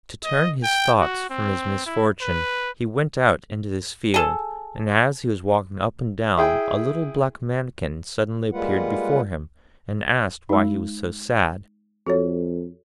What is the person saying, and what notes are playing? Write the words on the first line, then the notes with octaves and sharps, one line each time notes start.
To turn his thoughts from his misfortune, he went out into this field, and as he was walking up and down a little black Mannikin suddenly appeared before him, and asked why he was so sad.
D#5
G5
F#4
C4
E4
B4
G#4 A4
E4 G#4 G5
G3 G#3 A#3 F4 B4 F#5
G#3 D#4
F2 F#4 A4 C#5